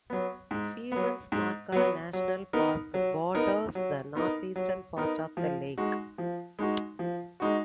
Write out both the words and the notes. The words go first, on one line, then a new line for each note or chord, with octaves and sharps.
Femundsmarka National Park borders the northeastern part of the lake.
F#3 B3
G#2
F#3 B3
G#2
F#3 B3
F#3
B3 D#4 A#4
F#3
B3 D#4 A#4
F#3
B3 D#4 A#4
F#3
B3 D#4 A#4
F3
G#3 D#4 F#4
F3
G#3 D#4 F#4
F3
G#3 D#4 F#4